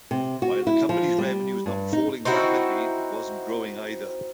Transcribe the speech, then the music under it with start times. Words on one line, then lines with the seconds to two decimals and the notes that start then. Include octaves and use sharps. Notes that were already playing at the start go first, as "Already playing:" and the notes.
While the company's revenue was not falling rapidly, it wasn't growing, either.
0.11 C3
0.42 F#4
0.67 E4
0.89 F3
1.18 G3
1.66 G2
1.93 D#4
2.25 C4 D#4 E4 F#4